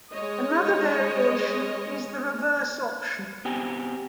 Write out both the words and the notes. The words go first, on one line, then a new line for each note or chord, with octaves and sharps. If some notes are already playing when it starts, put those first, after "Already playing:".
Another variation is the "reverse option".
G#3 C#5 D#5
B3 C4 G4 G#5